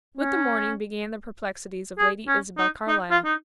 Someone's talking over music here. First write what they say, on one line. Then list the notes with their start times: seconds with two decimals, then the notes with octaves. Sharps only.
With the morning began the perplexities of Lady Isabel Carlyle.
0.17 C#4
1.99 G#4
2.28 C#4
2.58 D#4
2.88 D#4
3.11 F4
3.25 D#4